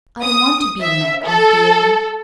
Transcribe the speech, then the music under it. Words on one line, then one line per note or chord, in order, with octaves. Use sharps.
I don't want to be Mag of the Alley.
D#6
E5
A4